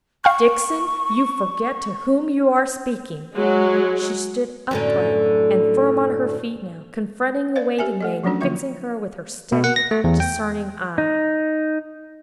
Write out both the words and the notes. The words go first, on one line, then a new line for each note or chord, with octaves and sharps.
'Dixon! you forget to whom you are speaking.' She stood upright and firm on her feet now, confronting the waiting-maid, and fixing her with her steady discerning eye.
F5 G5 C#6 F6
F#3 G#3
F#2 A2 D3
B4 C5 D5 F5
G4 A#4 E5 G#5
A3 A4 D#5
F3 F#3 A3 C#4 D4 F#4
D3 F3 A#3 F4 E5 C#6
B2
F#5
A#6
A3
E2
G5
D#4